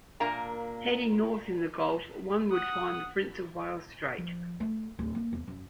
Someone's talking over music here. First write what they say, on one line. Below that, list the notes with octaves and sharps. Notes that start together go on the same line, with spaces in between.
Heading north in the gulf one would find the Prince of Wales Strait.
A#2 A#3 D4 A#5
F#5 D#6
F3
A3
D1
A#3
E2
F#2